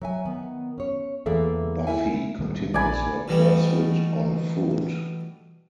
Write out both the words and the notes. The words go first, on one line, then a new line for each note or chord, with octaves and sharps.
Buffy continues her pursuit on foot.
F#3 E5 G#5
D#3 B3
C#4 C#5
E2 E3 A#3 G#4 A4 E5
D2 F#3 E4 A#4 E5 G#5
C2 D#3 G3
A#1 D5 G#5 B5
B2 E3 G3 A3